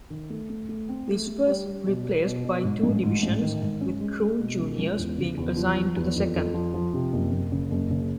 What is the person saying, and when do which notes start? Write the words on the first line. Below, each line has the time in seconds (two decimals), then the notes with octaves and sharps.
This was replaced by two Divisions with Troon Juniors being assigned to the Second.
0.10 D#3
0.30 A3
0.50 A3
0.69 A3
0.89 C4
1.08 A3
1.27 A3
1.47 G3
1.66 G3
1.86 B2
2.06 G3
2.25 B2
2.44 B2
2.64 G#2
2.83 A1
3.03 G#2
3.23 A1
3.42 D#3
3.62 G#2
3.81 C#4
4.01 G#3
4.21 G#3
4.40 B2
4.59 C#2
4.79 C#2
4.98 E2
5.18 C#3
5.37 E2
5.56 F3
5.77 F3
5.96 E2
6.16 F2
6.35 F2
6.54 F3
6.74 F3
6.93 C3
7.13 F#1
7.32 F#1
7.52 C#3
7.71 F#1
7.91 C#3